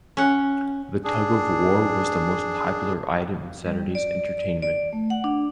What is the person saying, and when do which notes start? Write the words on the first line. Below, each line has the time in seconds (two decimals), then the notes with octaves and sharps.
The tug of war was the most popular item in Saturday's entertainment.
0.17 C#4 F#5
1.04 D4 G#4
3.66 G3
3.95 D5
4.38 D5
4.62 D5
4.93 A3
5.10 F#5
5.24 D4